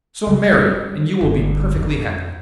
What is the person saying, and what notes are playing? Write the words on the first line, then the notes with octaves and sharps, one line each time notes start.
So marry, and you will be perfectly happy.'
C#3
G3
G1
F2